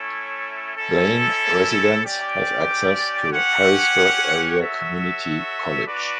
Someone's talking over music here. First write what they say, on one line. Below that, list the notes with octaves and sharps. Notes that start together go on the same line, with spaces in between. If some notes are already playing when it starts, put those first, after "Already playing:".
Blain residents have access to Harrisburg Area Community College.
Already playing: A3 C#4 E4 A4 C#5
C#4 E4 A4
C#4 G4 D5 G5
C#4 G4 C#5 F#5
F#4 A4 C#5 E5
D4 F#4 B4 D5